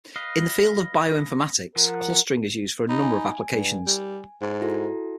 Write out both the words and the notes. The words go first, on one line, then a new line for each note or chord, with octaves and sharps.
In the field of bioinformatics, clustering is used for a number of applications.
B4 D#5 F5
F3 A#4 F#5
D#4 B5
G#5
G2
G3
G#2
E4 F#4 A4